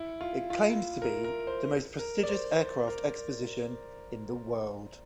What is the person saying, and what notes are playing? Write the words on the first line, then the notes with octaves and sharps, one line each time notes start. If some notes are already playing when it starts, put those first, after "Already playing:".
It claims to be the most prestigious aircraft exposition in the world.
Already playing: E4
F4
F4
A#4
A#4
C5
A#4
D5
C5
C5
A#4